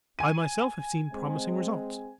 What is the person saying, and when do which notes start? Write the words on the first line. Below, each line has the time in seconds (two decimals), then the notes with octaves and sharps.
I myself have seen promising results.
0.19 G#5 D#7
1.12 G#3 C4